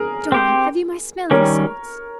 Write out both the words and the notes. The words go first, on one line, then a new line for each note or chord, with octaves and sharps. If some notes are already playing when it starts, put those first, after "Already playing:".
John, have you my smelling salts?
Already playing: G#4 A#4
C4 G4 C5
D#3 G3 C#4 A#4 C#5